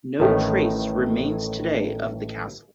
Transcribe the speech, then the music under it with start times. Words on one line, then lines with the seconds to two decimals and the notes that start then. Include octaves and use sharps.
No trace remains today of the castle.
0.20 A1 A2 D#3 A3